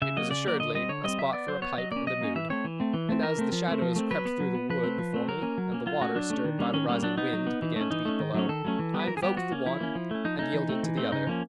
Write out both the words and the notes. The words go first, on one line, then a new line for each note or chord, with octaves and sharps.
It was assuredly a spot for a pipe and a mood, and as the shadows crept through the wood before me and the water, stirred by the rising wind, began to beat below, I invoked the one and yielded to the other.
C#3 E5
F#3 A#3 D#5
C#3 D5
F#3 A#3 D5
D3 D#5
G3 C4 D#5
D3 C#5
G3 C4 D#5
F#3 E5
B3 D5
F#3 C5
B3 C#5
F#3 D#5
A#3 C#4 D5
F#3 D#5
A#3 C#4
E3 E5
A3 C4 C#5
E3
A3 C4
E3
A3 C4
E3 A#4
A3 C4
F3
A3 C4
F3
A3 C4
F#3 B4
B3
F#3
B3
F3 B4
A3 C4
F3
A3 C4
F#3 A#4
A#3 C#4
F#3
A#3 C#4
F#3 F4
A3 C#4 F#4
F#3 D4
A3 C#4
D#3
G3 A#3 C#4
D#3 C#4
G3 A#3 C#4
F#3 D4
B3 D#4
F#3
B3
E3
A3 C#4
E3 D#4
A3 C#4
D#3
F#3 A3 C#4
D#3 A4
F#3 A3 C#4
E3
G3 B3
B4
E3 A#4
G#4
G3 B3 G4
F3 F#4
A#3 C#4
F3 E4
A#3 C#4
F3
A3 C#4
F3 D#4
A3 C#4 D#4
E3
A3 C4
E3
A3 C4
C#3 D#4
F3 A#3 C#4